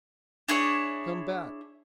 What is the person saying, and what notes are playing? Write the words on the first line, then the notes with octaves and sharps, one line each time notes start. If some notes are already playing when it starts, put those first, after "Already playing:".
Come back!
D4 E4 G#4 C#5